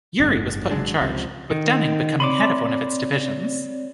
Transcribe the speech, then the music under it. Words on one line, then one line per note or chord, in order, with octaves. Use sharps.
Urey was put in charge, with Dunning becoming head of one of its divisions.
F#1 G#2
G#1 F#3 G#3 D4
C#2 C3 F3
D#3
C4 C#5 D5 B5 C6 D6